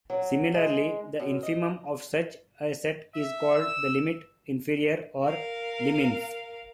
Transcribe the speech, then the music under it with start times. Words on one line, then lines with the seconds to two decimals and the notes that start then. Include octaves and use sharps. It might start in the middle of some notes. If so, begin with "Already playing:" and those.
Similarly, the infimum of such a set is called the limit inferior, or liminf.
0.10 F#3
0.54 G#3
1.20 F#2
1.43 D#5
3.15 E5
3.55 E6
5.22 A#4 F5